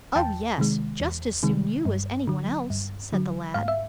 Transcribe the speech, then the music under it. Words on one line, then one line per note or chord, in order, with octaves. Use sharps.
"Oh, yes; just as soon you as any one else," said the lad.
E2 G5 A5
C3 D#3 G#3
E2
C3 D#3 G#3
G2
D3 F#3
G2
D3 F#3
G#2 F5
E5